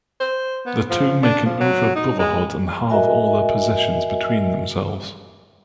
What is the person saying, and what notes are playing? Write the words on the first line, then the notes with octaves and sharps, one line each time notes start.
The two make an oath of brotherhood and halve all their possessions between themselves.
C5
B3
F3
D4
F3
F#3
D#4
G#3
F#4 A#4 D#5 E5 G#5